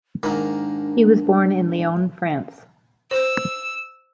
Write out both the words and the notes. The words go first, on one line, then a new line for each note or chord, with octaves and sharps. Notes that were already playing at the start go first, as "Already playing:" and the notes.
He was born in Lyon, France.
G#2 D#3 A#3 D4
C5 E6